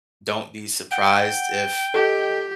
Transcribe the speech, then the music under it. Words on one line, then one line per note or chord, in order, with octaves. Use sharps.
don't be surprised if
F#5 G5
G4 A4 D#5